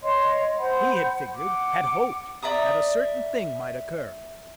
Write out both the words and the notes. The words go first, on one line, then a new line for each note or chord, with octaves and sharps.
He had figured--had hoped--that a certain thing might occur.
C#5 D#5 C6
C5 F#5 B5
F#5 D6
D5 E5 A#5 D#6